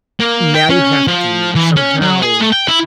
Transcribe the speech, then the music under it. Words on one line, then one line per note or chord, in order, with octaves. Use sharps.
now you have to somehow
A#3
G5
C#4
F3
E3
C#4
F#3
G#4
A3
G5
E4